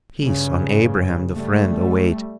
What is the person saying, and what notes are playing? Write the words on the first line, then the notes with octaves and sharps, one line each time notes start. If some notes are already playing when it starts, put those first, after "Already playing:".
Peace on Abraham the Friend await!
G2 C#3
G3 A3